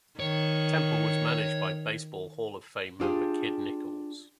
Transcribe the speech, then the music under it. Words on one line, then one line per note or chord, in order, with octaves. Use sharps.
Temple was managed by Baseball Hall of Fame member Kid Nichols.
D#3 C#5
D4 F4 G4 G#4